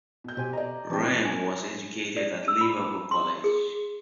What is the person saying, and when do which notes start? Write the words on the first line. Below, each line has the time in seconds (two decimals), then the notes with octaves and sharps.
Ramm was educated at Liverpool College.
0.24 B2 G6
0.37 B2 G4 C5 G#5
0.53 D5 D#5 A#5
0.90 E3 C4 G5 A5
1.25 G#5
2.17 D5
2.48 E6
2.61 B5
3.11 C6
3.44 G#4